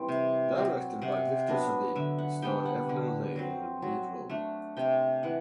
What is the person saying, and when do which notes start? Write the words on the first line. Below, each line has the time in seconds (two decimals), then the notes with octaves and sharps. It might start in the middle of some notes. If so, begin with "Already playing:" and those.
Directed by Victor Saville it starred Evelyn Laye in the lead role.
Already playing: E3 G3 C4
0.09 C3
0.55 F#3 C4
1.02 C3 F#5
1.48 F#3 B3 D4
1.96 D3 E5
2.19 F#5
2.42 G3 B3 D4 G5
2.65 F#5
2.89 D3
3.36 F#3 C4
3.82 F#3
4.30 A3 D4
4.77 C3 G5
5.23 E3 F#5